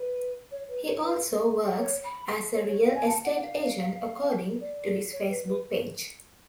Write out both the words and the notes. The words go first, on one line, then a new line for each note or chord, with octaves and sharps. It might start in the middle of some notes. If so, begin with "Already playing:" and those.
He also works as a real estate agent according to his Facebook page.
Already playing: B4
C#5
B4
C#5
B4
C#5
B5
C#5
C#5
F5
G#5
A5
F#5
F5
D5
C#5
B4
B4